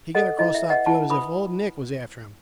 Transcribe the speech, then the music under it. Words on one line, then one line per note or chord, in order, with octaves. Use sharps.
He got across that field as if Old Nick was after him.
A4 C5 D#5 F#5
E4 D#5
E5
B4
D#5 F#5
E4 F#5 A5
B4 B5 D#6